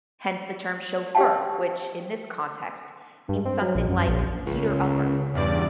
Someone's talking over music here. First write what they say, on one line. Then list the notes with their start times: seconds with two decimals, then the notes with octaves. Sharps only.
Hence the term "chauffeur" which, in this context, means something like "heater-upper".
1.15 G4 C#5 F5 G5 A5
3.29 G2
3.45 C4
3.61 F#3
3.75 A#1
3.89 F#2
4.08 A#1
4.46 C#2 C#3
5.34 E2 G2 D5